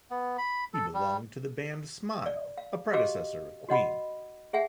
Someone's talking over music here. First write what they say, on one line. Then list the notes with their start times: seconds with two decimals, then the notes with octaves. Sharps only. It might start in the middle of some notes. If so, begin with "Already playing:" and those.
He belonged to the band Smile, a predecessor of Queen.
0.11 B3
0.38 B5
0.74 A4
0.94 G3
2.26 D5
2.58 F5
2.93 F#4 G4 D#5 F5 D6
3.69 F#4 D#5 F#5 B5
4.53 G#4 E5 F#5 G#5